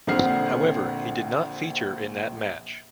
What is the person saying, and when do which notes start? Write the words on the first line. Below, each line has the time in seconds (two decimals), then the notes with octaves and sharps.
However he did not feature in that match.
0.07 A#1 D3 C4 F#5 F6 C7